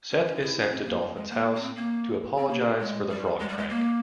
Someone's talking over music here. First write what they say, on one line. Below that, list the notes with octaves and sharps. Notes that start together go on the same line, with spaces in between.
Seth is sent to Dolphin's house to apologise for the frog prank.
C#4
C#4
F4
E4
C#4
C4
G#3
A#3
G3
G#3
A#3
A#3
C4
A#3
C4
A#3
G#3
G3
G#3
G3
G#3
A#3